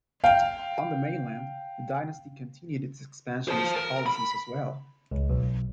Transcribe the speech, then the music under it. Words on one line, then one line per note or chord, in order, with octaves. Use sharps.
On the mainland, the dynasty continued its expansionist policies as well.
F5 G5
C5 A5
A#4
B5
C#2
B1